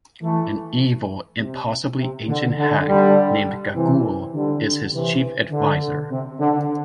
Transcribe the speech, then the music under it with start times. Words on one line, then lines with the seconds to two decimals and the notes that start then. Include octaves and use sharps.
An evil, impossibly ancient hag named Gagool is his chief advisor.
0.22 E3 A3
1.39 C3
1.99 C3
2.28 D3
2.58 D3
2.87 D3 G3
3.75 C3 E3
4.34 D3 G3
4.93 C3 E3
5.51 D3
6.11 C3
6.40 D3